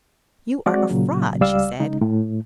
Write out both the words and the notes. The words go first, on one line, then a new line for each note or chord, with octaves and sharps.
"You are a fraud," she said.
G#3 C4 F#4 D5
A#2 C#3 F#3
C#2 G3 D5 F5 E6
C#3 G#3 D#4
A2